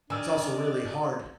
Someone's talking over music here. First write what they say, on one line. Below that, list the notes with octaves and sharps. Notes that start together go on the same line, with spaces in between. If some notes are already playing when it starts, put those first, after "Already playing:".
It's also really hard.
D#3 D4 D5 G#5 E6